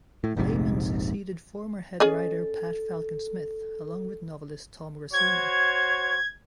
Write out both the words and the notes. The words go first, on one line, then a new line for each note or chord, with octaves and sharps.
Laiman succeeded former Head Writer, Pat Falken Smith, along with novelist Thom Racina.
A2
F1 A#1 G#2 C3
C#4 G#4 A4 D#5
F#4 C5 C#5 G#6